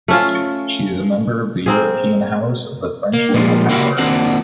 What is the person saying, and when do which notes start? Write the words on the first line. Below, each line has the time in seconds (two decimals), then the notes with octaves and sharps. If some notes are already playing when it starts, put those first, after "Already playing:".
She is a member of the European House of the French Local Power.
0.08 A3 C#4 F4
1.66 A#3 C4 G#4
3.14 A#3
3.34 A#2 F3 G3 G#3 A#3
3.69 A#3 D#4 E4 F#4 G4
3.98 D#2 A#3 C4 D4 F#4 F#5